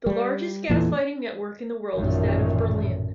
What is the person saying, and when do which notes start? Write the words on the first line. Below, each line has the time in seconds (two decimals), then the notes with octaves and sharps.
The largest gas lighting network in the world is that of Berlin.
0.06 G3
0.70 E2 A#2 E3 A3
1.94 A1 F#2 A#2 D#3 A3